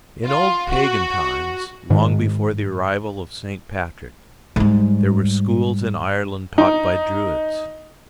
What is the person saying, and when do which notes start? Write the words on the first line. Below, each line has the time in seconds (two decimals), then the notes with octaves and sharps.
In old pagan times, long before the arrival of St. Patrick, there were schools in Ireland taught by druids.
0.25 F4
0.71 F#4
1.90 G#2 D#3 G#3
4.56 G#2 G3
6.58 D#4